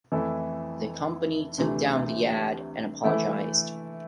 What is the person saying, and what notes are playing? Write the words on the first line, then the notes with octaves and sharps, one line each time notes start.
The company took down the ad and apologized.
F2 E3 A3 E4 A4
D2 C3 E3 A3
E3 A3 E4 A4